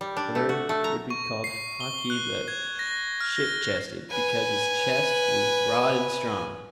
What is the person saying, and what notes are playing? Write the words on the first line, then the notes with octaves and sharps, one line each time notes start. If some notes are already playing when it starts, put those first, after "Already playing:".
The other would be called Haki the Ship-chested because his chest was broad and strong.
G3
D4
A3
F#4
A3
A#5
C#6
C7
G7
F#6
G#6
A#6
F6
A#6
B4 G#5